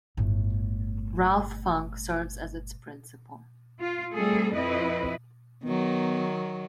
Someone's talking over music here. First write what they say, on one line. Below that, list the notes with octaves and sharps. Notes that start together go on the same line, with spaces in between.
Ralph Funk serves as its principal.
G1 A2
F4
G3 A3 C4 G#4 A4
F2 C4 E4 B4 D#5
D#3 F#3 B3